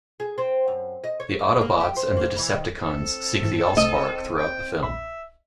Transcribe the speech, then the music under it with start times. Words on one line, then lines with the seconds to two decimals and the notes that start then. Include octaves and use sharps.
The Autobots and the Decepticons seek the AllSpark throughout the film.
0.20 G#4
0.38 C4
0.68 F#2
1.04 D#5
1.20 C#5
1.39 F#2
1.61 A#3
1.80 G4
1.97 C5
2.17 A#3
2.38 E3
2.53 D#3
2.82 C4 A4
3.42 G#2 E3
3.77 C2 A3 D#5
4.37 G5
4.82 A#1 E5 B5